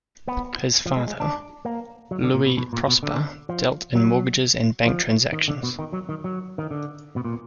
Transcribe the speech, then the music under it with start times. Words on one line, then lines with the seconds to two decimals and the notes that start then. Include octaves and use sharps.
His father, Louis-Prosper, dealt in mortgages and bank transactions.
0.28 B3
0.86 F3
0.97 G#3
1.07 G#3
1.20 D4
1.65 A#3
2.11 F#3
2.23 D3
2.34 A#2
2.46 B2
2.57 B2
2.73 A#2
2.87 B2
3.03 D3
3.49 F3
3.95 F#3
4.86 F3
5.32 D#3
5.48 D3
5.63 B2
5.79 D#3
5.93 F#3
6.09 D#3
6.24 F#3
6.58 D#3
6.71 D3
7.16 B2
7.25 A#2